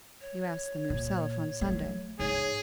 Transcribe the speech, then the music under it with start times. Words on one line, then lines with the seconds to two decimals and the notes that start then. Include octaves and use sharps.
"You asked them yourself on Sunday."
0.21 C#5
0.90 A#2
1.61 F#3 A3
2.19 G#2 G#4 C#5